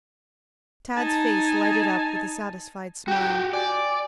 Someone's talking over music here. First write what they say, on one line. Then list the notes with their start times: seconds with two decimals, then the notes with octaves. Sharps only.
Tad's face lighted up with a satisfied smile.
0.97 D#4 G#5 A5
3.08 F#4 G4 G5
3.53 D5 G#5